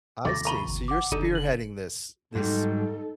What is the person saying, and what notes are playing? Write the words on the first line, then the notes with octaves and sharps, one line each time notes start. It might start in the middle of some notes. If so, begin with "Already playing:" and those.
I see. So, you're spearheading this this
D#2 C3 F3 A3 D6 A6 A#6
A#4 A#5 B5 C#6 D#7 G7
G1
F#5 D6
F#1 D3 D#4 A4 D5 D#7
F#7
G#2 F#3 G3 D#4 A4